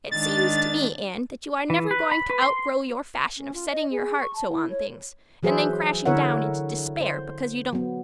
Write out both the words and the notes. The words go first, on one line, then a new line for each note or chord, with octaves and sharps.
"It seems to me, Anne, that you are never going to outgrow your fashion of setting your heart so on things and then crashing down into despair because you don't get them."
D#3 G#3 D4 A6
E3
B4
B5
B4
C6
C#4
F4
D#5
G#4
C#6
A5
E4
C#5
E3 F#3 G#4 B4 C5 E5
D3 E4 A#4 C#5 E5 F#5
C5
F#3 B3